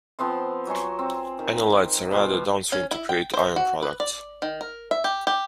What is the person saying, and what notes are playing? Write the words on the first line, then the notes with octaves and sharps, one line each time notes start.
Analytes are added downstream to create ion products.
F3 B3 C4 C6
F#3 G#5 C6 C#6
C4
D#3
B2 G3 F4
C#4
E4
G5
C5
F#4
B4
D5
D#3
A#4
E5
G4
G4